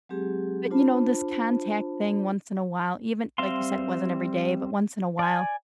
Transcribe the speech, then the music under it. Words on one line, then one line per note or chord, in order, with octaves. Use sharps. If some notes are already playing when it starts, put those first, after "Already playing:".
But, you know, this contact thing once in a while, even like you said, it wasn't every day, but once in a while,
F#3 G#3 C4 G4 G#4
D4 F4 C5 A5 B5
G3 C4 E5 F5 C6
D5 G#5